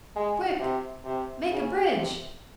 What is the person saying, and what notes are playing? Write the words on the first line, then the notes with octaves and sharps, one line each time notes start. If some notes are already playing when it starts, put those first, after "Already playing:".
Quick!--Make a bridge!
G#3
C3
C3
C#3
C3